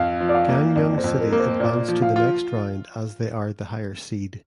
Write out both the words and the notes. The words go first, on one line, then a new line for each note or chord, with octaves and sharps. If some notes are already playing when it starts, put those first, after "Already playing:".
Gangneung City advance to the next round as they are the higher seed.
Already playing: F2 F5
F3
D5
F5
A#3
F2 D5
C5
F2
A#4
A#3 A#4
C5
A#2 D5
F3
F5
F4